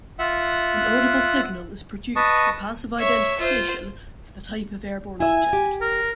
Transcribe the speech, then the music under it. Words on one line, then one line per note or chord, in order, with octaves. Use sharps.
An audible signal is produced for passive identification of the type of airborne object.
F4 E5 F#5 F#6
B4 D#5 A5 C#6 D#6
C#5 E5
F4 C5
E4 E5 G#5
G4
A#4